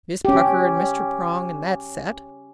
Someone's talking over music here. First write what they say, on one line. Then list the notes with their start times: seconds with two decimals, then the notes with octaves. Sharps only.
"Miss Pucker, and Mr. Prong, and that set."
0.25 C#4 G4